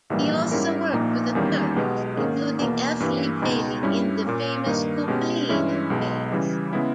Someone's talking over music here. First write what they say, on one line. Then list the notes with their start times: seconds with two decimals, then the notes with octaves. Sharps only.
He also worked with attorneys, including F. Lee Bailey, in the famous Coppolino case.
0.10 A#1 G#2 E3 G3 A#3
0.52 G#2 G3 C#4 E4 A#4
0.93 A#1 A#2 A#3 D#4
1.35 E2 D#3 G3 A#3 C#4
1.76 B1 B2 G#3 B3 G4
2.17 G#2 D#3 A#3 C#4 G#4
2.59 E2 B2 A#3
3.00 G2 E3 G3 A#3
3.42 C#2 B2 G#3 D#4
3.83 G2 G3 C#4 E4
4.25 A#2 A#3 C#4
4.66 G2 D#3 A#3 D#4
5.08 B2 G#3 C#4 G4
5.49 G2 E3 G#3 C#4 E4
5.90 B1 B2 G#3
6.32 C#3 E3 G3
6.73 C#3 G#3 B3 E4